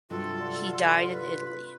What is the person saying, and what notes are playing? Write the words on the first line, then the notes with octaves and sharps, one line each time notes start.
He died in Italy.
G2 C3 F#3 F4 A4
D3
B4